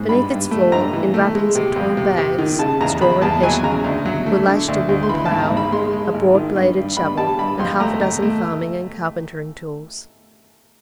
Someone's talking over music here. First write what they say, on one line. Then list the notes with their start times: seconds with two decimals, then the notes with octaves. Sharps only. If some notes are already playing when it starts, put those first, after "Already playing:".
Beneath its floor, in wrappings of torn bags, straw and hessian, were lashed a wooden plough, a broad-bladed shovel, and half a dozen farming and carpentering tools.
Already playing: G#2
0.09 G2 B5
0.30 G2
0.51 A3
0.72 G2 A#5
0.93 E3
1.14 A3
1.35 G#3
1.55 C3
1.76 F2
1.97 C3
2.18 C3
2.38 D#3
2.59 C#3 A5
2.81 E2 A#5
3.01 E2 B5
3.22 E2 A5
3.43 F#3 G#5
3.63 C#3 A#5
3.84 D2
4.06 F#3
4.26 A3
4.48 D3
4.68 D2
4.89 D2
5.03 C6
5.09 E3 B5
5.25 A5
5.31 G#1
5.40 A#5
5.51 G#2
5.57 B5
5.72 G#3 C6
5.93 G#3
6.14 G#1
6.35 D#3
6.56 G2
6.77 G2
6.97 G2 B5
7.17 G3 A5
7.39 G2 B5
7.59 F2 C6
7.80 A3 A#5
8.01 A3 A#5
8.22 A3